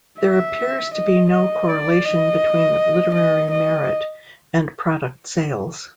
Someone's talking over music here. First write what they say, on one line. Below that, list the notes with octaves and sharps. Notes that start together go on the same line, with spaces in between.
There appears to be no correlation between literary merit and product sales.
E5
D#5
D#5
D5
D#5
D#5
D#5